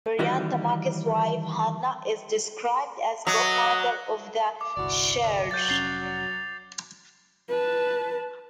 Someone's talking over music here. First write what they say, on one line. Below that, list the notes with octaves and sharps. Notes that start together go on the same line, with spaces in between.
Brian Tamaki's wife Hannah, is described as "co-founder" of the church.
D#3 E3 G3 D#4 F#4 G4
F#3 D#5
D6
G1 C2 E4 F#4 D5
D3
F#3 G6 A6
F1 C#4 A6 C7 F7
B4 A5